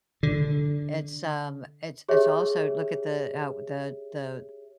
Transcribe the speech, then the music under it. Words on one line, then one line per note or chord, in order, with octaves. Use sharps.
it's, um it's it's also look at the, uh, the the,
D3
G4 G#4 C#5 E5